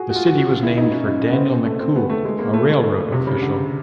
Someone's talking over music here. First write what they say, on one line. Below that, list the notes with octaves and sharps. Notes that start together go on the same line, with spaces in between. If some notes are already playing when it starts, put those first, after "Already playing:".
The city was named for Daniel McCool, a railroad official.
Already playing: F#4 G#4
F#4
F4
F#4
F#4
F4
E4
D#4
C#4
D#4
C#4
B3
C4
A3
C4
B3
A3
G#3
A#3
A3
A3
C3
C#3
D3